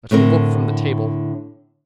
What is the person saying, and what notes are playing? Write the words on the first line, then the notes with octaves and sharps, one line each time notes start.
I took a book from the table.
A2 D3 C4 A#4